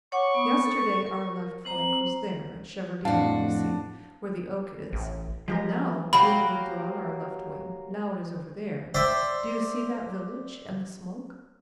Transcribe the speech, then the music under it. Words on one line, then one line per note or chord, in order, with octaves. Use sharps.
Yesterday our left flank was there at Shevardino, you see, where the oak is, but now we have withdrawn our left wing--now it is over there, do you see that village and the smoke?
C#5 F#5 C#6 D6
B3 C4 D#6
A4
A#4
C4 C5 A#5 F#7
F2 A2 D4 F#4 F5 A5
A1
F3 G#3 G4 A#4
F#3 A#3 G4 B5
C5 D5 E5 G5 C6